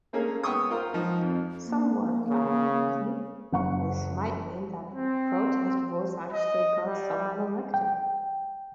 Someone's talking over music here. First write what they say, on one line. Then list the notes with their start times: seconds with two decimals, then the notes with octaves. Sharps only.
Somewhat ironically, this might mean that protest votes actually got someone elected.
0.13 A3 A#3 C#4 G#4 A#4
0.43 B3 G5 C#6 D#6
0.70 F4 A#4 C5
0.93 F3 D#4
1.22 F2
1.66 A#3
2.29 C#3
3.53 F#1 F#5 C#6
4.93 C4
6.31 D#5
6.84 G3
7.74 G5